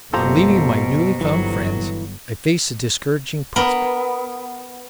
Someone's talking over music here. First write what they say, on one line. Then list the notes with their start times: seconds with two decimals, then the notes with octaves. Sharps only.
ON leaving my newly found friends I faced a discouraging prospect.
0.14 F#1 B2 F4 G4 A4 C5 A#5
1.21 G1 E3 F#3
3.56 B3 A#4